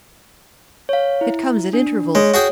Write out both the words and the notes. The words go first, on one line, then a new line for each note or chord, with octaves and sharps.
It comes at intervals.
C#5 F5
E4
D4
G#3 C#5
F#4 G#4 G5